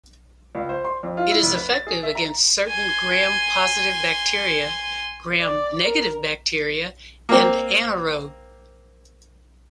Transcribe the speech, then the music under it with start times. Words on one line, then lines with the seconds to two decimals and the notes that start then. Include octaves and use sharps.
It is effective against certain gram positive bacteria, gram-negative bacteria, and anaerobe.
0.55 C#2
0.69 C5
0.84 C6
1.03 F2
1.17 F4
1.31 E4
1.42 F1
1.56 B4
1.71 A6
1.87 G#4
2.03 E5
2.15 A#5
2.68 G#5 C6
5.40 D5
5.84 A#4
7.29 A#3 C4